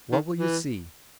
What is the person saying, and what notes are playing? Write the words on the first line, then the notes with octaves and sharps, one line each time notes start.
What will you see?
D#3
E3